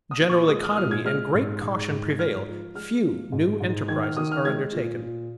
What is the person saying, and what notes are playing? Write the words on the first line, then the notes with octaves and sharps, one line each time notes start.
General economy and great caution prevail; few new enterprises are undertaken.
D#6
A#2
C#6
C#6
G#3 D#6
F6
D#6
A#2 F6
G#6
G#3 F6
G#2
G#2
G#2
G#6
F3 F6
F3
G#3 F6
F3
G#2
G#2
D#3 G#6
F6
D#3 D#6
F6
G#3 G#6
A#2
A#2